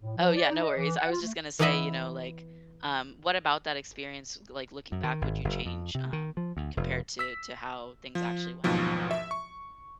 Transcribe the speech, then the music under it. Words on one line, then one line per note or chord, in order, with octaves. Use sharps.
Oh, yeah, no worries. I was just gonna say, you know, like, um, what about that experience, s like, looking back, would you change, um, compared to to how things actually went down?
A2
F3
D5
D#4
D#5
E3
F#5
F4
A3
E3 B3 E4 B4 D#5 E5
F#2
D#3
G#1
F#1
F2
C3
D#3
F3
D2
F1
E6 B6
F3
A1 D#2 G#2 B2 F3 F#3
E5
C#6